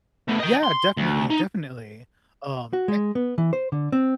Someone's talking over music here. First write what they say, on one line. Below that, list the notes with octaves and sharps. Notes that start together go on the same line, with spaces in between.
Yeah, definitely, definitely, um, a
A3 B3
D#5 G5
C6
D2
D#4
F#4
G#3
B3
E3
C5
D3
C4